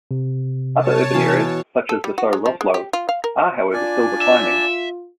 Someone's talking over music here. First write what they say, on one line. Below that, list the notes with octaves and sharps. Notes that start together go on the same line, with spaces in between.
Other urban areas, such as Dessau-Roslau are however still declining.
C3
C#5 A5
B2 E3 F5
A4
G3
F#4
G#3
F3
G#3
G4
F4
F5
A#4
D4 F4 D5 G#5
E5